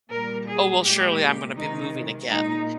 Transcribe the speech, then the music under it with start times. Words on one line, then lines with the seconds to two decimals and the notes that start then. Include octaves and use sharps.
"Oh, well surely I'm gonna be moving again,"
0.10 A#2 G3 A#4
0.48 G#4
0.83 A#2 G#3 G4
1.56 C3 D#3 G#3 D#4
2.29 A#2 G#3 D#4